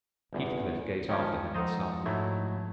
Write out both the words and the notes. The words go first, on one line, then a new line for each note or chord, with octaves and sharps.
Heathcliff gazed after him, and sighed.
G1 E2
D#3 F3 G#3 C#4 C#5 G5
F3 D#4 A4 C5 D#5 F#5
G#2 F#3 A3 E4